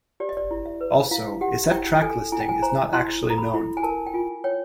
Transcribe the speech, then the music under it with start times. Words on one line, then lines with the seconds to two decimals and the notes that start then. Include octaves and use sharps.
Also, a set track listing is not actually known.
0.20 G4 D5
0.29 D#5
0.37 D5
0.51 E4
0.66 E5
0.81 B4
1.11 E4 F5
1.41 G4 F#5
1.71 E4 G5
2.02 A4 G#5
2.32 E4 G#5
2.40 G5
2.49 G#5
2.62 C5 A#5
2.93 E4 C6
3.23 A4
3.30 A#5
3.38 B5
3.54 E4
3.77 G#5
3.83 A#4 A5
4.07 G5
4.14 F4 G#5
4.44 C#5 G5